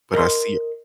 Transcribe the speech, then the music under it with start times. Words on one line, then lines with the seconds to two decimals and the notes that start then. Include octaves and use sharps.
But I see
0.14 A#4 D#5 A#5 C6